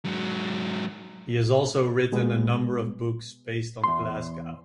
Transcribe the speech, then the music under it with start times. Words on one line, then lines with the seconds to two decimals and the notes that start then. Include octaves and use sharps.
He has also written a number of books based on Glasgow.
0.05 G#2 F#3
2.12 B2 G#3 B3
3.84 E2 C6